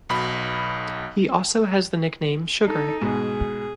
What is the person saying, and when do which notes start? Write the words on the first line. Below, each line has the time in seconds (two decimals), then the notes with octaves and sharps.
He also has the nickname "Sugar".
0.09 B1 B2 B5
2.66 D#4 A4
3.01 G#2 B2 G#4